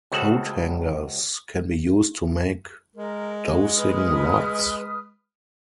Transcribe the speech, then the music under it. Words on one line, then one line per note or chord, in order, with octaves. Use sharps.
Coathangers can be used to make dowsing rods.
C#2 C#3 C4 F#4 A4 F#5
G#3 A#4
F#4
B4 D#6 F6